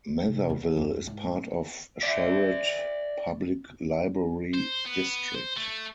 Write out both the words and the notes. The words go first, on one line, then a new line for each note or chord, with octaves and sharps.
Matherville is part of Sherrard Public Library District.
C3 E3
E2 D#3
D1 F2
G#2 E4
D5 E5
C5
B3
C5
A3